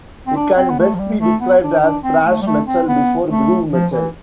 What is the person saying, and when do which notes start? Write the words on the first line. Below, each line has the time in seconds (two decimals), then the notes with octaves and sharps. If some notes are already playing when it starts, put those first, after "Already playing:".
It can best be described as "thrash metal before groove metal".
0.27 C4
0.36 D4
0.57 C4
0.69 B3
0.78 A3
0.94 F3
0.99 G3
1.20 A3
1.40 B3
1.62 D4
1.82 D4
2.03 C4
2.25 A3
2.41 G3
2.46 A3
2.66 C4
2.88 B3
3.30 A3
3.72 F3
3.92 E3